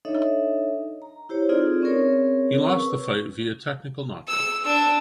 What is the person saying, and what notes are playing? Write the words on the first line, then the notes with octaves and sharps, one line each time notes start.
He lost the fight via technical knockout.
D4 D#4 A4 C#5 D#5 E5
A#5
E4 G4 C5 C#5
C4 D#4 F4 G#4 A4 D5
C4 C#4 G#4 A#4 C#5
B4 C#6 E6
E6
D4 E6